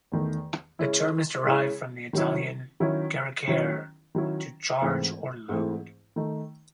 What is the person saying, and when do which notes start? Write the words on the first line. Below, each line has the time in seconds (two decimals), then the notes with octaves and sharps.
The term is derived from the Italian "caricare"-to charge or load.
0.12 E2 D#3 A3
0.79 C#3 G#3 C#4 E4
1.47 C#3 G#3 C#4 E4
2.13 D#3 F#3 C#4 E4
2.80 D#3 F#3 C#4 E4
3.48 D#3 F#3 C#4 E4
4.15 D#3 F#3 C#4 E4
4.82 G#2 E3 A3 C4 E4
5.49 G#2 E3 A3 C4 E4
6.16 D#3 A3 D#4